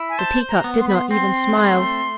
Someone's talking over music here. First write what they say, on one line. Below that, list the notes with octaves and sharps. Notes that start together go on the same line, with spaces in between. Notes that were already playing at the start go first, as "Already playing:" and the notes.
The Peacock did not even smile.
Already playing: E4
G#5
C5 A5
A#5
B3
C6
B5
C6
C4 C6
A3